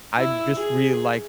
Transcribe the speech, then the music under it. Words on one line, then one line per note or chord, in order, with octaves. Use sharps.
I just really like
E4
G#4